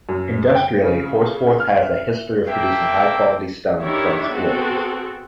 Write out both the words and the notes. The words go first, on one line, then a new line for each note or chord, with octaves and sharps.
Industrially, Horsforth has a history of producing high quality stone from its quarries.
F#2
G5
C#3
F6
E5
A#3 C4 A4 E5 G5
D#3 D4 E4 G4 C#5 E5
B3 C4 F#4 G#4 A4